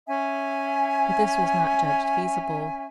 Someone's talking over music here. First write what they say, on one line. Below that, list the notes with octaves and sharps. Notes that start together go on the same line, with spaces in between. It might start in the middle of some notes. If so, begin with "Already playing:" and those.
But this was not judged feasible.
C#4 E5 G#5